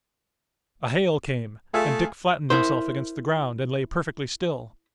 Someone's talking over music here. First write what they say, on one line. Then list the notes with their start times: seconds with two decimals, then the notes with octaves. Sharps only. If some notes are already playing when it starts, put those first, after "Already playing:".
A hail came, and Dick flattened himself against the ground and lay perfectly still.
1.74 A3 F4 G#4 E5
2.50 E4 A#4 C5